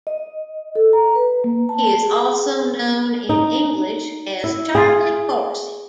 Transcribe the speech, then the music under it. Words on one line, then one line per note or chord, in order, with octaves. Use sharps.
He is also known in English as "Charlie Corsey".
D#5
A4
A#5
B4
A#3
A5
G#4
D#4
E4
G#4